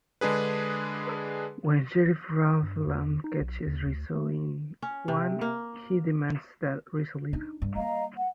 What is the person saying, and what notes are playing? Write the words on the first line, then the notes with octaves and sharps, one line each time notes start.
When Sheriff Ralph Lamb catches Rizzo in one, he demands that Rizzo leave.
D3 G#3 D4 G#4 B4
G2
E2
D#4
B1
D#2
D2
A3
C#4
C3
A#3
D4 D#4
G2
G3 A#3 D#5 F5 A#5
F#5